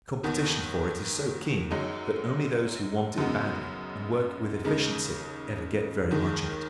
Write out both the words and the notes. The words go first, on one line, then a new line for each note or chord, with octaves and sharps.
Competition for it is so keen that only those who want it badly and work with efficiency ever get very much of it.
D#2 D#3 B3
F#2 F#3 D#4 G#4
F#2 C#3 G#3 B3 D#4
D#2 C#3 G#3 D#4
D#2 D#3 G#3